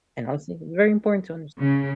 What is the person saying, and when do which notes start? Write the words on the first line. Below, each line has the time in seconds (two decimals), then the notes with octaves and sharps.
and honestly, it's very important to understand that,
1.61 C#3